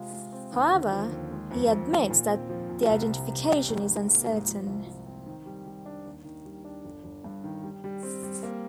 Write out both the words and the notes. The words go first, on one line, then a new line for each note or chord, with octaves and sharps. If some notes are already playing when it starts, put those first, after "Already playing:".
However, he admits that the identification is uncertain.
Already playing: C3 G#3 F4
G#3
C4
D#2
D3
F3
D#2
G#3
F2
F2
D#3
A#2
C4
F3
A#2
C2
C3
C3
C3
G#1
G#1
A#3
G#2
F3
C2
F3
C4
D#3
G3
G3
D4
D#2
D#3
G3
D4
G1
G1
G2
D#3
G3
G3
C4
G3
A#3